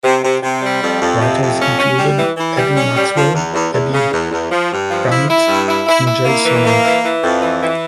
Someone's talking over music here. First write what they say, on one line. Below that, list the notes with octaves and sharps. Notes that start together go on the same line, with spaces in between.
Writers included Eddie Maxwell, Eddie Brandt and Jay Sommers.
C3
C3
C3
G3
F2
F2
C3
F2
C#4
C#4
G3
E3
E3
G3
C#4
G3
F3
E2
E2
E2
C#3
E2
E2
F3
G2
F3
E4
E4
G2
E4
E4
E4
A#3
E3
A#3
E3
E3
F2
E3
E3